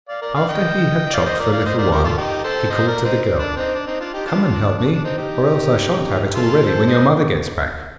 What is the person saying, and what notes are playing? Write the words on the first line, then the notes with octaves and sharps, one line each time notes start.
After he had chopped for a little while he called to the girl, 'Come and help me, or else I shan't have it all ready when your mother gets back.'
D5 F5
A#4 D5
D5 F5
D#5 G5
D#5
D5 F5
C5 D#5
A#4 D5
D5 F5
C5 D#5
A#4 D5
G4 A#4
F4 A4
D#4 G4
A4 C5
C5 D#5
A#4 D5
C4 D#4
C4
D4
C4 D#4
D4
C4 D#4
D4 F4
D#4 G4
D4 F4
D4
D4
D4
C4 D#4
D#4 G4
F4 A4
A4 C5
C5 D#5